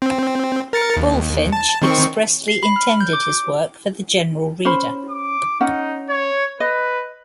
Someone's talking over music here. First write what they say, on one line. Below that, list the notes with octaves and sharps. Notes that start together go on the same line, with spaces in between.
Bulfinch expressly intended his work for the general reader.
C4
A#4 A6 C#7
D#2
A5
D#3 C4 C#6
C7
B5
F6
G6
D6
C#4 C5 B5
D6
C#4 D#4 F#5
C#5
B4 D#5